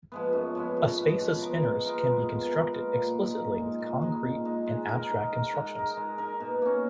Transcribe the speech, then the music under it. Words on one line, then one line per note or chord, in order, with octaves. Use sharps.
A space of spinors can be constructed explicitly with concrete and abstract constructions.
F3 G#3 B3
F#2
F3 G#3 B3
F#2
F3 G#3 B3
G#3
B3 F4 A#4
G#3
B3 F4 A#4
G#3
B3 F4 A#4
G#3
B3 F4 A#4
A#2
G#3 D#4
A#2
G#3 D#4
A#2
G#3 D#4
A#2
G#3 D#4
G#3
D#4 A#4
G#3
D#4 A#4
G#3
D#4 A#4
G#3
D#4 A#4
B2
A#3 C#4